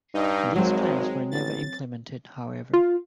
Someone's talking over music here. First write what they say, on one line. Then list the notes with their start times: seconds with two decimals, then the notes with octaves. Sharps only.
These plans were never implemented, however.
0.14 G2 D#4
0.56 G#1 F#3 G#3 C4
1.31 A1 A6
2.74 F4